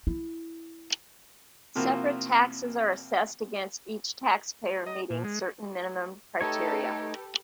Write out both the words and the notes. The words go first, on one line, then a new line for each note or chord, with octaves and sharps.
Separate taxes are assessed against each taxpayer meeting certain minimum criteria.
E4
C3 F3 A#3 E4 F#4 E6
D#5
A#2
G#3
A3 D#4 G4 A4 B4 C#5